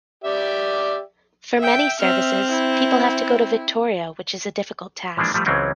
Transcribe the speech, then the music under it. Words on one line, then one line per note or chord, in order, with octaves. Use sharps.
For many services, people have to go to Victoria which is a difficult task.
G4 D5 E5
E5 G5
C4 E5 F6
E4
E3 F3 G#3 A#3 D4
F3 G3 A3
C#2 E3 F#3 G#3 C4 C#4